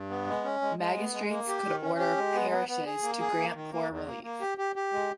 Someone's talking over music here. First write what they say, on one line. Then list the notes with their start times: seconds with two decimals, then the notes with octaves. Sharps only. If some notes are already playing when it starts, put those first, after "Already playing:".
Magistrates could order parishes to grant poor relief.
Already playing: G2
0.10 B3
0.27 G#3
0.44 C#4
0.61 G#3
0.79 G#3
0.96 B3
1.13 G#3
1.30 A#3
1.48 G4
1.65 D#3
1.82 C#4
1.99 G4
2.17 G#3
2.34 B3
2.51 B3
2.69 B3
2.86 G#4
3.03 A#3
3.20 G#4
3.38 A#3
3.55 D#3
3.72 A#3
3.89 E2
4.07 A#3
4.23 A#3
4.41 G4
4.58 G4
4.76 G4
4.93 G#3